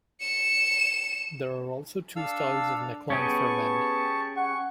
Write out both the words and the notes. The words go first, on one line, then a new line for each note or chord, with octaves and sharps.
There are also two styles of necklines for men.
C#7 E7
D4 A4 F5 E6
B3 C#4 G4 G#4 A5 C#6
F#5 C#6